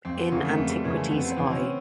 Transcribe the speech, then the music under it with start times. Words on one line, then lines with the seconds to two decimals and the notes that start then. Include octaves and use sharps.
In Antiquities i.
0.05 F2 C4
0.18 B3
0.32 C#3 E3 A#3
0.45 A3
0.58 F2 G#3
0.71 G3
0.84 C#3 E3 G#3
0.97 A3
1.11 F2 B3
1.25 C4
1.37 C#3 E3 C4
1.50 C#4